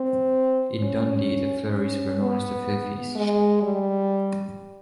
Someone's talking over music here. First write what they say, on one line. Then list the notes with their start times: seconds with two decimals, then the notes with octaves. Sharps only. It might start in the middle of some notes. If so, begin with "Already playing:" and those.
In Dundee, the ferries were known as "the Fifies".
Already playing: C4
0.81 C#4
1.74 C#4
2.22 B3
3.15 G#3
3.62 G3